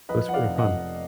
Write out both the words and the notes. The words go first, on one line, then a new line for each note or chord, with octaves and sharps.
It was pretty fun.
F3 B4 D#5
F3 F#5
D5 F5
F1
D#5 F#5
F3